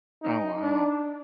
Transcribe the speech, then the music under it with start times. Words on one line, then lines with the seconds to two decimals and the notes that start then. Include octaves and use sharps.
Oh, wow.
0.23 D#4
0.64 D4